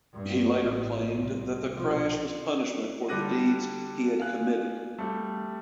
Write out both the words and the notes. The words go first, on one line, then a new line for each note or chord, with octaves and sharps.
He later claimed that the crash was punishment for the deeds he had committed.
G2
A1
C2
B2 F3
D3 G3 D6 F#6 A#6 D#7
F5 G#5 F#6
G3 A3